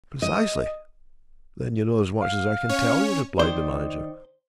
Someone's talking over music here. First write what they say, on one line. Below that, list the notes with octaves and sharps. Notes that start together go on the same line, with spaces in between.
"Precisely!--then you know as much as I can tell you," replied the manager.
D#5
F5
C#4 C#5
D#3 D#4 C5 D5